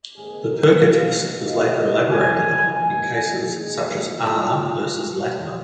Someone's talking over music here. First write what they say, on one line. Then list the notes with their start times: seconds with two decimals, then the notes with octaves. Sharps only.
The Perka test was later elaborated on in cases such as "R. versus Latimer".
0.15 G#1 G#2 D#3 A#3 G#4
0.48 A#4
0.81 F5
1.46 D#5
1.79 D#5
2.12 G#5
2.77 D#2 D#3 G#3 G#5
3.43 G#4
4.08 F4